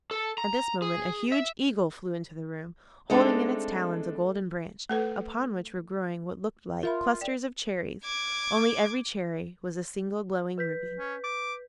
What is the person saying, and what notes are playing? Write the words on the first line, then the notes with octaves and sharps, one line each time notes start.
At this moment a huge Eagle flew into the room, holding in its talons a Golden Branch, upon which were growing what looked like clusters of cherries, only every cherry was a single glowing ruby.
A4
A#5
G#4
E5
G#3 A3 C4 D4 D#4 A4
A3 A4 B4
F4 A#4 E5 B5
D5 G5
D6 G#6
B4 G6 B6
C#4
D6